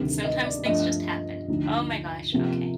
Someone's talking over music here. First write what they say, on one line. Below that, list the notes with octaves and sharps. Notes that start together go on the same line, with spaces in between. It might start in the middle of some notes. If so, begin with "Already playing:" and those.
sometimes things just happen. Oh my gosh, okay.
Already playing: D2 C3 D#3 G3
D#5
D5
G2 F3 A3 D4 D#5
D2 D3 F3 A3 D#4
C3 F3 A#3